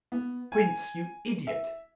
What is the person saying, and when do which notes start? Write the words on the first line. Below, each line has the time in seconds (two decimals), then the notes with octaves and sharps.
"Prince, you idiot!"
0.12 B3
0.52 G#5
1.47 E5